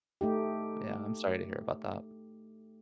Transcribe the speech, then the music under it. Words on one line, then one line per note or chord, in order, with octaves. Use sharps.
Yeah. I'm sorry to hear about that.
A3 D#4 G4